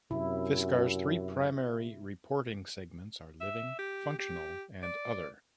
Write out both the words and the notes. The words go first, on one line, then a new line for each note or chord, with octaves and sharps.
Fiskars' three primary reporting segments are Living, Functional and Other.
F#2 C3 E4
E5
G4
G4
D5